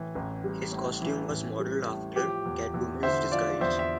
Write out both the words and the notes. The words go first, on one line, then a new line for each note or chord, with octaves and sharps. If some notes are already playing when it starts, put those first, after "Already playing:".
His costume was modeled after Catwoman's disguise.
Already playing: A2 E3
A1
G3
A2
E3
A1
G3
A2
F3 G4
E2
E2
D3 C5 E5
F3 D5 F5
E2 C5 E5
E5